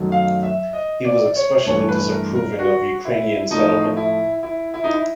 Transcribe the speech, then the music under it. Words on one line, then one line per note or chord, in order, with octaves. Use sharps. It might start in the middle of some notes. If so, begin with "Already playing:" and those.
He was especially disapproving of Ukrainian settlement.
Already playing: F#2 D#3 F#3 A3
F5
E5
D#5
D5
C#5
G2 E3 A3 C#5
B4
A#4
A#4
F#4
E4
A2 F3 A3 D#4
E4
E4
E4
D#4
E4